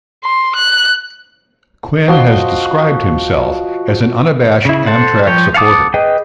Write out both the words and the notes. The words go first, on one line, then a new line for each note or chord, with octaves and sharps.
Quinn has described himself as an unabashed Amtrak supporter.
C6
F#6
F3 F#4 D#5 C6
C#3 E4
A4 C5 F#5
F3 C#5 G5
F5 F#5 A5 D6 D#6
G#4 B4 D#5 G5